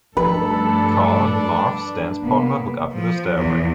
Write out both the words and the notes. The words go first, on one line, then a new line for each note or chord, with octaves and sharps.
Carl and Marv's dance partner hook up in the stairway.
G2 F3 A3 D4 A4 B4
C3 A#3 B3
F3
E2